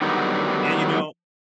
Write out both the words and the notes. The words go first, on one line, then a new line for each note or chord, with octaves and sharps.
Yeah, you know,
D3 D#3 F#3 G3 B3 D#4